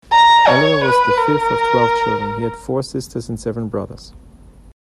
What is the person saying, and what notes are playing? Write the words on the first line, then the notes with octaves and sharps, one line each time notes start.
Oliver was the fifth of twelve children; he had four sisters and seven brothers.
A#5
C#5
B4
A#4